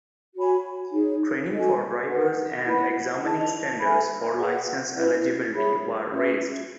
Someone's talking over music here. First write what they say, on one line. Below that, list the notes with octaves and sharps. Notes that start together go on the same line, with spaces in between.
Training for drivers and examining standards for license eligibility were raised.
F#4 C#5 G#5 B5
D#4 G#4 C#5
F#4 A4 D#5 G#5
F#4 B4 F#5
E4 B4 F#5 B5
E4 G#4 D#5 A5
A4 E5 G#5 B5
G#4 B4 F#5
C#4 E4 B4
G#4 C#5 E5 B5
C#4 G#4 B4 E5